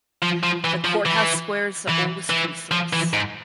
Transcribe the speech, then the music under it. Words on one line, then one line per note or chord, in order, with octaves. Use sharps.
The courthouse square is the oldest resource.
F3
F3
E3
F3
E3
E3
E3
F3
E3
G#2